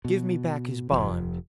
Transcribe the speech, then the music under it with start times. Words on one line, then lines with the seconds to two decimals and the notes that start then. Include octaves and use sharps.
Give me back his bond.'
0.05 B2
0.91 F1 A#1 F3